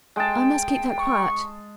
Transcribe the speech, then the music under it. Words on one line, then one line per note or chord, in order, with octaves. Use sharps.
I must keep that quiet.
G#3 G5 A5
C#6